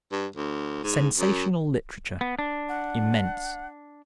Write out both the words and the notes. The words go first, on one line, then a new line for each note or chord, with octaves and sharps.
Sensational Literature.--Immense.
G2
D2
G#2
F#2
B3
D4
F#5